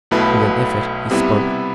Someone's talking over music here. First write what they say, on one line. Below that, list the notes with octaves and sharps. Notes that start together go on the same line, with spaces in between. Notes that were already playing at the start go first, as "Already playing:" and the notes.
With an effort he spoke.
B1 B2 A3 E4 B4
C3 G3 B3 E4